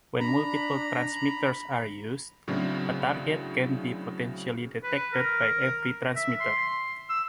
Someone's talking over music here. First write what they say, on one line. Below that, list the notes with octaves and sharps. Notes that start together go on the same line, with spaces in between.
When multiple transmitters are used, a target can be potentially detected by every transmitter.
D4 A#5 B5
A2 C#3 F#3 C4 D4 E4
B4
A#4
E5
C6
E6